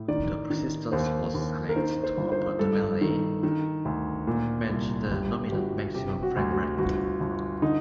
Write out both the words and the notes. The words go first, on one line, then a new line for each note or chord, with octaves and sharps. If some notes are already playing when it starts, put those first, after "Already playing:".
The persistence was selected to optimally match the nominal maximum frame rate.
Already playing: A2
D#3 D5
D#3
D#2 C5
D#2
A#4
D#3 C5
C5
G1
C5
G2 A4
D#3
D#3
D2
A#2
C2
G1 G4
G4
G1 F#4
C3 G4
F#4
D2
F#4
G1 F#4
G1
D3 D#4